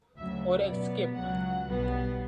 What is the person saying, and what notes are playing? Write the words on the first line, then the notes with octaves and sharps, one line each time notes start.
Or escape?
D2 C#3 F#3 E5
B2 F#3 B3 D5
C#2 C#3 F#3 F#5
B1 B2 G3 B3